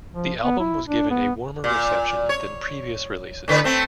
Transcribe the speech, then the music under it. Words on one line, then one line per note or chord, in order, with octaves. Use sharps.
The album was given a warmer reception than previous releases.
F3
B3
E4
D4
B3
A#2
C#5
A2 D3 B4
A3 C4